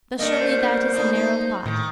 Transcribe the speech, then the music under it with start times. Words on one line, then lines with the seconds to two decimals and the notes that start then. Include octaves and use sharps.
But surely that is a narrow thought.
0.19 G2 A3 A#3 D4 D#5
0.41 C5
0.93 B2 D4 D#4
1.14 D#4
1.66 A2 D#3